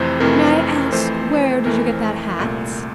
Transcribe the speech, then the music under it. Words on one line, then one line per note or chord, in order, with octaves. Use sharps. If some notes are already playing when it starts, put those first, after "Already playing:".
"May I ask where did you get that hat?"
Already playing: F2 C3 E3 A3 C5
F2 C3 E3 A3 A#4
F2 E3 A3 C5
F2 E3 A3 A#4
C2 A#2 A3